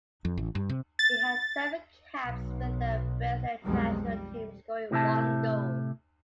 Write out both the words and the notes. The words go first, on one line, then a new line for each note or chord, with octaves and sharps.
He had seven caps with the Brazilian national team, scoring one goal.
F2
A1
G2
C3
A6
B1
B1 F2 D#3 F3 G3 G#3
G3
A2 C3 E4 A5